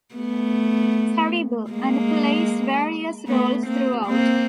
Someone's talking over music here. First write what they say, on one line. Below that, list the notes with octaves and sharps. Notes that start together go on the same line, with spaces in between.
Terrible, and plays various roles throughout.
A3 B3
G#3 A#3
A3 B3
A#3 C4
A#3 C4